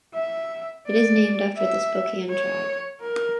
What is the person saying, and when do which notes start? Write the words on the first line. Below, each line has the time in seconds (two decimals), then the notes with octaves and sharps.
It is named after the Spokane tribe.
0.14 E5
0.87 D5
1.57 E5
2.29 C#5
3.01 A#4